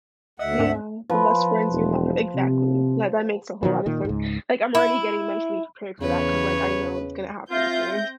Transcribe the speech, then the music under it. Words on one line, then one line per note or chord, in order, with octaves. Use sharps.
Yeah, the less friends you have Exactly. That that makes a whole lotta sense. Like, I'm already getting mentally prepared for that 'cause, like, I know it's gonna happen soon.
D2 D#5 E5 F#5
G#2 C4 D4
F3 B4
E1
C3
B2 D#3 F3 F#3
A#2 D#3
C#2 G#2
E4
E2 C#3 B4 C#5
C4 F4 E5 G6 A#6